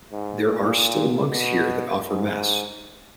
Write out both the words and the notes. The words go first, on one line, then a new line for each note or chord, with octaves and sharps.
There are still monks here that offer mass.
G#2
A#2
B2
G#2